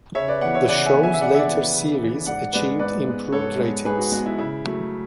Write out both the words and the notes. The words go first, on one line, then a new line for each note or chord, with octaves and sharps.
The show's later series achieved improved ratings.
C#3 C#5 E5
B4 D5
E3 B3 D5 F#5
C#5 E5
C#3 D5 F#5
E5 G#5
E3 B3
E5 G#5
E5
C#3 D5 F#5
E5
D5 F#5
E3 B3
C#3
E3 B3
G#2 D5 F#5
G#3 B3 B4 D5
G#2 B4 D5
G#3 B3
G#2 A4 C#5
G#3 B3
G#2 G#4 B4
F#4
G#3 B3 F#4
E4
C#3 E4
F#3 A3